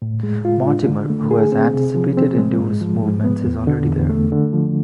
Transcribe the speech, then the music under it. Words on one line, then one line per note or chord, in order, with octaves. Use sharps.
Mortimer, who has anticipated Indio's movements, is already there.
A2
G#3
F4
D4
D3
A3
G#4
C4
C3
F3
C4
G#3
G#2
F3
G#2
B3
E2
D3
E2
A3
D3
F3